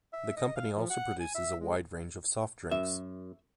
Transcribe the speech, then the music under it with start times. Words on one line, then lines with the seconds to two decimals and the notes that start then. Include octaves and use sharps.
The company also produces a wide range of soft drinks.
0.13 E5
0.36 D#5
0.56 F5
0.76 F3
0.90 F#5
1.20 G#5
1.35 E5
1.60 G#3
2.71 F#2 E5